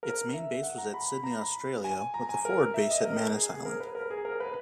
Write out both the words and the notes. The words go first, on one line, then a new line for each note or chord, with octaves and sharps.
Its main base was at Sydney, Australia, with a forward base at Manus Island.
A#4
E5
F#5
A#5
B5
A#5
B5
G#5
A#5
G#5
A#4
E5
D#5
A#4
G#4
G#4
A#4
B4
A#4
G#4
A#4
B4